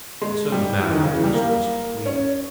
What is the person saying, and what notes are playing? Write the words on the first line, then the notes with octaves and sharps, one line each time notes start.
And so the matter had been discussed between them.
G#3
G3
E3
D#3
C#3
E3
G3
A#3
C#4